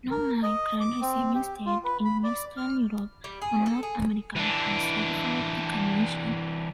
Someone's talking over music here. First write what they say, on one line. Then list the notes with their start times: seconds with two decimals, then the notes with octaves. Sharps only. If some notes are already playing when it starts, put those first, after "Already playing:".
No migrant-receiving state in Western Europe or North America has ratified the Convention.
0.11 A#4
0.43 D#5
0.80 D6
1.01 C4
1.35 G4
1.66 F4
1.84 B4
2.05 B5
2.24 D5
2.57 F6
3.24 G3
3.42 G#4
3.66 A4
3.83 G#4
4.36 E3 D4